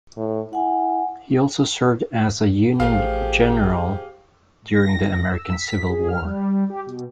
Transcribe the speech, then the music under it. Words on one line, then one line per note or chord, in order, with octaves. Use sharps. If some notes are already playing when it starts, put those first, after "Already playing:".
He also served as a Union general during the American Civil War.
A2
E4 F#5 G#5
A1 F3 A3 F4 G4 G#4 F5
A#6
E6
B6
G#4
F6
G3
G4
B2